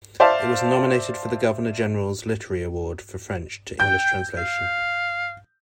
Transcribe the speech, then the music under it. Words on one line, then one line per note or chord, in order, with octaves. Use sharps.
It was nominated for the Governor General's Literary Award for French to English translation.
C5 D5 E5 F5 A5
G5 G6
F5